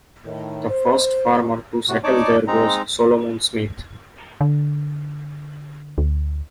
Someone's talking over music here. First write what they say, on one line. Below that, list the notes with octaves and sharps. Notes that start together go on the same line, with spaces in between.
The first farmer to settle there was Solomon Smith.
A2 D#3
C5
A2 C3 F#4
D#4 C#5 D5 A5 D6
G#3 C4 D#4 A#5
D3
D2